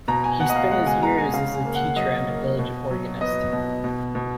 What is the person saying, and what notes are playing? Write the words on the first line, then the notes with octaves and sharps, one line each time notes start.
He spent his early years as a teacher and a village organist.
B2 A#5
G#5
B2 F#5
D#5
F5
G#3 F#5
G#5
G#3 A#5
G#5
C#3 F5
G#5
A#3
F#5
F#3 D#5
A#3
B2
F#3
B3 D#5
B2
B2
B2